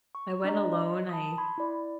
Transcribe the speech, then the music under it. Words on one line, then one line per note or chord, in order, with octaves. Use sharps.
I went alone. I
C#6
D4 D5 D#5 A#5
D#5
A5 B5 D#6
B5 C6 G#6
E4 D5